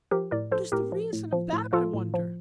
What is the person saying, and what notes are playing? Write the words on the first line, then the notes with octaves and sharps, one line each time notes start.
What is the reason of that, I wonder?
F3 G4 A#4
A2 A#4 D5
F3 A4 C5
A2 G4 A#4
F3
A2
F3
A2
F3 F4 A4
A2
F3